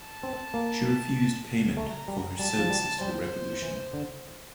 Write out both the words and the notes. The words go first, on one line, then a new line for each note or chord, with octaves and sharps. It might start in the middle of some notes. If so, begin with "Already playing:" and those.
She refused payment for her services to the revolution.
Already playing: A5
C4
A#3
A3 A#5
G3
G3 A5
F3
G3
G3 C5
E3
D3